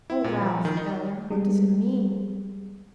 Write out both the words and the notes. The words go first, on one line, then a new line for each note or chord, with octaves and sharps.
"Oh, Ralph--Ellen--what does it mean?"
E4
A#2
F3
D#3
D#4
G3 G#3